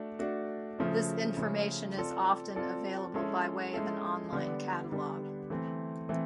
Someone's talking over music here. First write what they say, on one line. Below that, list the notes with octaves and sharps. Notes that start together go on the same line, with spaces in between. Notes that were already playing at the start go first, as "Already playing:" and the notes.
This information is often available by way of an online catalog.
Already playing: A3 D4 F#4
A3 D4 F#4
C#3 F3 A3 C#4
C#3 F3 A3 C#4
C4 F4 A4 D5
C4 F4 A4 D5
G#3 C#4 E4 A4
G#3 C#4 E4 A4
D3 G3 B3 D4
D3 G3 B3 D4
E3 A3 C4
E3 A3 C4